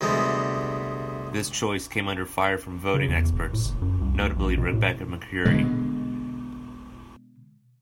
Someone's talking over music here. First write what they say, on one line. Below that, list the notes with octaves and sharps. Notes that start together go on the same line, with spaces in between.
This choice came under fire from voting experts, notably Rebecca Mercuri.
D2 C3 G3 G#3 B3
C#3
E2
E1
A2
F#1
F#2
C2
D2
A#1
B2
A2
B2 D3 G#3